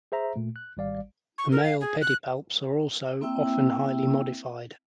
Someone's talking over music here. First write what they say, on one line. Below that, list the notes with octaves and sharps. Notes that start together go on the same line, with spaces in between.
The male pedipalps are also often highly modified.
G#4 C5 E5 A#5
A#2 A3
F#6
G#1 G3 D5 F5
C#6
A#4
F5
G#4
F#6
A#3 C4 E4 E5 G5 E6